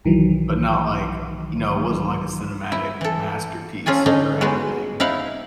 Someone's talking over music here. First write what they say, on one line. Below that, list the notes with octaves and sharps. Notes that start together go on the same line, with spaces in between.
but not like you know, it wasn't like a cinematic masterpiece or anything,
B1 D#3 E3 F#3
E4
E3 A4
C#4 F4 G#4 A4 G#5
D3 C#4 D#4
G#3 B3 D#4 F#4
D#4 E4 F5 F#5